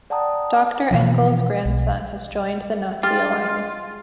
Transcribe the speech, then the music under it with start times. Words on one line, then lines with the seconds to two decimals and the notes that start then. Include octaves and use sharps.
Doctor Engel's grandson has joined the Nazi Alliance.
0.10 D5 F#5 G5 A5 A#5 D#6
0.91 B2 E3 F3
1.65 B1
3.03 G#3 F4 G4 F6 A6